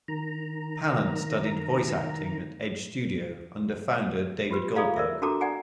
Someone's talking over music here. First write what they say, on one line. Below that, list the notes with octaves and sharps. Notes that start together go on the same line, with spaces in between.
Palant studied voice acting at Edge Studio, under founder David Goldberg.
D#3 A#5
F4 G4 B4
F4 G#4 A4 D5 F5 A#5
A#4 D5 E5
D4 F#4 A4 A5 A#5 D6
D5 F#5 G#5 A#5